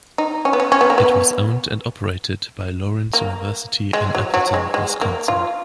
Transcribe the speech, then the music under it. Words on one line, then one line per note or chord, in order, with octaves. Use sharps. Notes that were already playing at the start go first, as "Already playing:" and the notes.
It was owned and operated by Lawrence University in Appleton, Wisconsin.
D#4
C#4
B3
C#4
C#4
B3
A#3
B3
A#3
G#3
F#3
F#3
G#3
G#3
A#3
F4